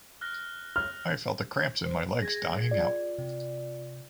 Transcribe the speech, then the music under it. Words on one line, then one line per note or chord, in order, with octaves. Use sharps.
I felt the cramps in my legs dying out.
F6 F#6 A#6
F6
C5
G#4 G#6 A#6
F4 D5
C3